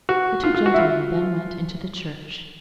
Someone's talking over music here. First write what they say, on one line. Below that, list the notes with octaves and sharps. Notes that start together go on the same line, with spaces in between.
The two gentlemen then went into the church.
F#4
F4
F4
F#4
E4
F4